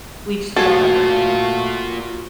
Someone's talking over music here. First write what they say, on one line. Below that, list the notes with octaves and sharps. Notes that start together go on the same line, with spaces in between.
We just we all gotta work together.
A3 A#3 F4 F#4 A4 G#5